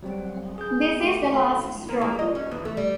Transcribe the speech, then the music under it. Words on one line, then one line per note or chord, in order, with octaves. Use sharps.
This is the last straw.
F#3 G3 C4
G#4 G6
G1 A3 G4
F#4 A4 F5 B5
A#3
A#3
D#5
C#4
E2
A3
G3